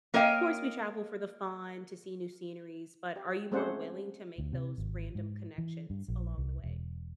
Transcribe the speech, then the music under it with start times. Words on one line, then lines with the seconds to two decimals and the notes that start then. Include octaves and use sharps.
of course, we travel for the fun, to see new sceneries- but, are you more willing to make those random connections along the way?
0.14 A#3 A#4 C#5 D#5 F5 G5
3.16 G4
3.52 G#3 A3 C4 C#4 C5 F#5
4.38 D2
4.53 C3
4.78 G#1
5.15 G#2
5.58 E3
5.90 G2
6.08 A#1
6.38 C2
6.64 E1